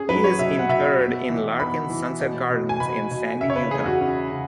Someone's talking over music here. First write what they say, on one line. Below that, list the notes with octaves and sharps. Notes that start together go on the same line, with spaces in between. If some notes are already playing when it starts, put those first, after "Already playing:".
He is interred in Larkin Sunset Gardens in Sandy, Utah.
Already playing: C#4 G#4
F#3 B4
C#5
B2 E5
F#5
B2 E5
B3
E3
B3 B5
E3
B2
B2
G#5
B2 B5
B2
C#3 E5
C#5
B4
E2 G#4
F#4
C#4
C#3